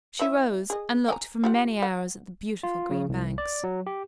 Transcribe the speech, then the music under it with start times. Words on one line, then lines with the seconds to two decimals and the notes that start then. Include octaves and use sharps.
She rose, and looked for many hours at the beautiful green banks.
0.19 C4 E4 E5
0.70 G#4 D#5
1.08 G5 G#5 A#5
1.44 F4 G4 F#5
1.82 F#5
2.63 F4
2.91 C#3
3.09 C2
3.38 D5
3.64 F#3
3.87 G4